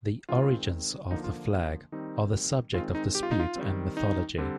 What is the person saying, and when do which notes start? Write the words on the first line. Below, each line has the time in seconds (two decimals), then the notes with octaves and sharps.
The origins of the flag are the subject of dispute and mythology.
0.29 D#3 G#3 C4 F4
1.11 D3 F3 A#3 D#4
1.24 F4
1.92 D#3 G3 C4 D#4
2.74 D#3 G#3 C4 F4
2.95 D#4
3.15 G4
3.23 F4
3.31 D#4
3.40 F4
3.56 D#3 G3 C4
3.97 D#4
4.38 D3 G3 C4